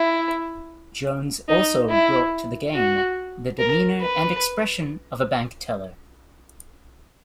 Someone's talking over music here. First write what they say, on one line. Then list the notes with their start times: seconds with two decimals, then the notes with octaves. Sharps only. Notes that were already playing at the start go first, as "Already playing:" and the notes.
Jones also brought to the game the demeanor and expression of a bank teller.
Already playing: E4
1.48 D#4
1.90 E4
2.74 F#4
3.59 A#4
4.01 B4